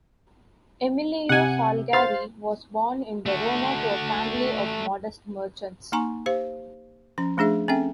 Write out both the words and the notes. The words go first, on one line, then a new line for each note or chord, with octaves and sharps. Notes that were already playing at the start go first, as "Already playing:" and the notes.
Emilio Salgari was born in Verona to a family of modest merchants.
C3 F#5 G#5
C5 F5 C6 A6
A3 F#4
A#3 D#4 G#5 A#5 C#6
G4 C5 F5
F3 C#4 A#5
F3 A3 D4 G#4 E5
C4 C#4 A4 E5 G5